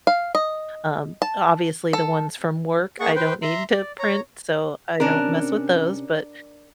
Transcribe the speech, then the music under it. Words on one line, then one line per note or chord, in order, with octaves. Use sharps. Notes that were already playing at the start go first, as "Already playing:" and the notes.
Um, obviously, the ones from work, I don't need to print, so, I don't mess with those, but,
F5
D#5
A5
A4
A#3 G#4 F#5 C#6
B4 C5 G5
E5 A#5 C6
D5
C#5 A#5
C3 C#4 D4 A#4